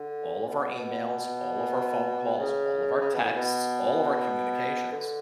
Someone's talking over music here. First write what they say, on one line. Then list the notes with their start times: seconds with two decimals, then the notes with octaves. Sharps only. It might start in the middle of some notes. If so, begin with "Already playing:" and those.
all of our emails, all of our phone calls, all of our texts, all of our communications,
Already playing: D3
0.47 B2
0.79 B2
2.38 C#3
3.01 C#3
3.13 B2
3.24 A2
3.36 B2
4.92 D3